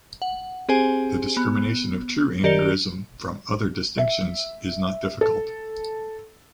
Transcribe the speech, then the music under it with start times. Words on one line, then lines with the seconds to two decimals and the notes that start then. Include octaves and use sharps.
The discrimination of true aneurysm from other distinctions is not difficult.
0.22 F#5
0.69 C4 G4 G#4 C5 G#5
1.37 B3
2.44 D#3 G4 A#4 D5 C#7 G7
3.98 E5
5.21 A4